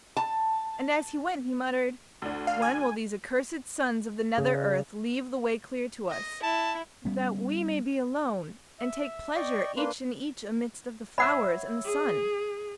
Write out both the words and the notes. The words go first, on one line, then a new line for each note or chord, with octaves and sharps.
And as he went, he muttered: "When will these accursed sons of the nether earth leave the way clear to us, that we may be alone and take pleasure each in each amidst of the flowers and the sun?"
A5
D2 D4
F5
G#5
C#3
D#5
E4 A5
G3 B3 C#4
E5
D5 D#5 G5 C#6
A#3 D4 B4 C6
C#5 E5 F#5 B5
G#4